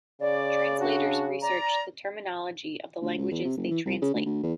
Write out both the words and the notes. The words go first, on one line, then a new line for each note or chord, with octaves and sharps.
Translators research the terminology of the languages they translate.
C#3 D5
D4 F#4
D5 A#5
D2
C#2
E2
C3
F#1
E3
C2
C#3
D2
D2
E2